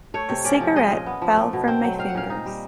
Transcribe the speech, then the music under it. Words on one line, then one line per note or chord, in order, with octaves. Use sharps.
The cigarette fell from my fingers.
A3 C#5
C3
C#4 D5
F3
G#3 D#5
A#2
B3
F3
A3
B2
C4
F#3
C4 F5
F#5
A#2 F5
D#4
G3